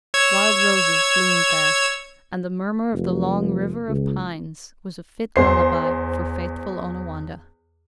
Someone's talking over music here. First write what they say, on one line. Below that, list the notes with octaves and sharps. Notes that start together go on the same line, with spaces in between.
Wild roses bloomed there, and the murmur of the Long River of Pines was a fit lullaby for faithful Onawandah.
C#5 E6 G#6
F1
C#2
E2 C5 C7